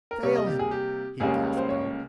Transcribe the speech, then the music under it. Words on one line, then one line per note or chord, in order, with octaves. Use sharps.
"Phelan!" he gasped out.
A#4
C3 G3 A#3 C#5
D#5
G4
G#4
G4
C#2 C#3 G3 A#3 C#4 G#4
C5
C#5